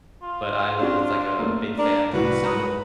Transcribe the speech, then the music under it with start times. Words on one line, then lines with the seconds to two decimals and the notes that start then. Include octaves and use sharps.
but I live with, like, a big family, so,
0.22 F4
0.81 C4 D4 F#4 G4
1.39 A3 A#3
1.78 D4 A#4
2.13 C2 A2 F#4 B4
2.42 G#2 A#5 D#6